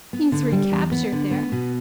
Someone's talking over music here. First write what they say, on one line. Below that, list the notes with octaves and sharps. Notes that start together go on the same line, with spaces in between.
He's recaptured, there!
B3
D3
G3
E2
B3
D3
B3
B2